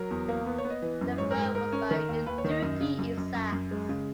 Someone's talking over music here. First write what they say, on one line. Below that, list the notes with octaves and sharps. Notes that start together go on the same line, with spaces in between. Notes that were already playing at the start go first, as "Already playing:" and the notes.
The throw was by Dougie Isaacs.
Already playing: F#3 A#4
E2
A#3
B3
C#5
B3
D#5
E3
F#2
G#2 C#5
A#4
G#2
A#4
G#2 A#4
C#4
D#3 A#4
D#2
D#2 B4
C#5
D#3
D#5
F#2 D#5
C#3
F#2
F#2
F#2
F#2
G#3
C#3